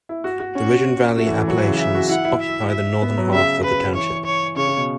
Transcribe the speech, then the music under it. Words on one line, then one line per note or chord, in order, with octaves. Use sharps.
The Ridge-and-Valley Appalachians occupy the northern half of the township.
E4
F#4
F#4
C#4 F#4
A3 F#4
E3
E3
F#3 F#4
E3
C#3
E4 E5
F#4
E4 F#5
E4
E5
E5
B3
F#3
C#3 E5
B4
E3 C#5
C#5
C#3 C#5
C#3
B2